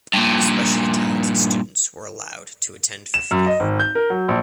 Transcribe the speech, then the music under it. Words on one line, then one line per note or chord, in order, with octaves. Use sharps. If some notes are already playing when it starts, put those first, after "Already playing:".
Especially talented students were allowed to attend for free.
G2 A#2
E7
F#2
D#5
G#1
G6
A#4
F#3
A#1